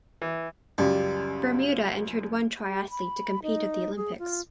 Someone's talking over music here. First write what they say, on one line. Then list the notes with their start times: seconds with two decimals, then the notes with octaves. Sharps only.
Bermuda entered one triathlete to compete at the Olympics.
0.22 E3
0.78 C#2 F#2 G3
2.67 G4
2.90 B5
3.43 D#4
3.96 G#4
4.19 F4